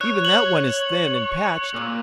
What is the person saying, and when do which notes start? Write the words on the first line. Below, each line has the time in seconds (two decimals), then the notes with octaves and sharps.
Even that one is thin and patched.
0.01 C#5 F#6
0.25 F#7
1.74 A#2